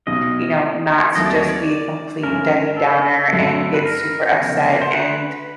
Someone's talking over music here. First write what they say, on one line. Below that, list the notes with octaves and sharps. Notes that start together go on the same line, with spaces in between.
you know, not to just be a complete Debbie Downer and get super upset and,
B1 B2 G3 D#5
D#2 D#3 F#3 A3 C4 D#5
D5
C#5
D5
G2 D3 F3 A3 C#4 A#4
A4
G2 D3 F#3 A3 C4
B4
A#4
E2 C#3 F3 A3
C5
B4